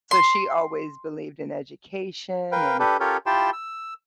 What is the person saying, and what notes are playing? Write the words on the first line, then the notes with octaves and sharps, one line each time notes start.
So she always believed in education and
C6
A#4 B4 F5 G5
D4 G4 A4 B4
C#4 F4 G4 A4 A#4 C#5
E4 F4 G4 G5 A5 C6
E6